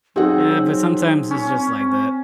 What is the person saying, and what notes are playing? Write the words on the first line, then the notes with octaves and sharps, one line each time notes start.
Yeah, but sometimes it's just like that.
F#3 C4 D#4 G#4 F#5
C#4
C4